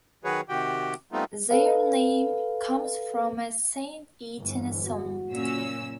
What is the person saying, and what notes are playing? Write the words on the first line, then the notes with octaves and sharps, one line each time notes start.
Their name comes from a Saint Etienne song.
D#3 F#3 F#4 G#4 B4 C#5
C3 D#3 F#4 G4 G5
G3 A3 B3 C4 D#4 F4
A4 B4 F5
G1 E2 E3
F#4
F#1 A#2 C#4 E6